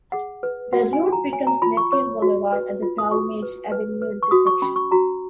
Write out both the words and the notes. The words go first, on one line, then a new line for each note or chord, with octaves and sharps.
The route becomes Neptune Boulevard at the Talmadge Avenue intersection.
G#4 F#5
B4
F#4 F#5
G#5
F#4
A#5
C#5 G#5
A#5
F4 B5
C#6
C#5 C#6
F#4
B4
F4
D#6
F#4 C#6
B4
B4
B4
C#6
F#4 D#6
C#6
C#4 B5
C#6
F#4 A#5